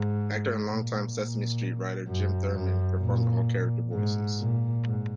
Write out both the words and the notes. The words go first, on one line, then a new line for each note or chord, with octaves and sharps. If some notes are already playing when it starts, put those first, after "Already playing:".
Actor and longtime Sesame Street writer Jim Thurman performed all character voices.
Already playing: G#2
A#2
A#2
F#2
F#2
A#2
G#2
A#2
G#2